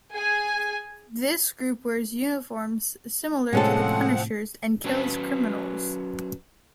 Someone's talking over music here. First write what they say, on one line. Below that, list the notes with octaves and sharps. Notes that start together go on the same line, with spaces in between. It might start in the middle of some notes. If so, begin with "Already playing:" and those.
This group wears uniforms similar to the Punisher's and kills criminals.
G#4 G#5
A2 C3 F3 G#3 C4 C#4 A4 F#5
F#3 C#4 B4 A5